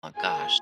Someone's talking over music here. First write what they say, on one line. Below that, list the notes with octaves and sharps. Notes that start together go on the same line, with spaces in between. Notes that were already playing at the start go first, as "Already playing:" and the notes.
Oh gosh.
A#3 F4 G#4 G#5